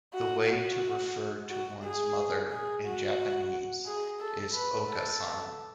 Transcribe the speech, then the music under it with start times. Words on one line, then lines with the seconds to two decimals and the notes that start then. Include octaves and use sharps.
The way to refer to one's mother, in Japanese, is "okaa-san".
0.14 F#4
0.48 F#4
1.49 F#4
1.84 G#4
2.51 G#4
2.85 F#4
3.86 G#4
4.21 A4
4.54 B4
4.88 A4